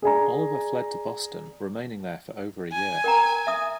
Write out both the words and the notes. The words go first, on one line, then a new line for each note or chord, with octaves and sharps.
Oliver fled to Boston, remaining there for over a year.
G#4 D5 G#5 A#5
G#5
A#4 G5 A#5
E5 D#6